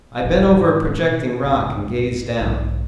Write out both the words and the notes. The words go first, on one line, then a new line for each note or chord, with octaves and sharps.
I bent over a projecting rock and gazed down.
D#1 A#1 F2
G#2
B2
F#1 C#2 C3
B1 G#2 D3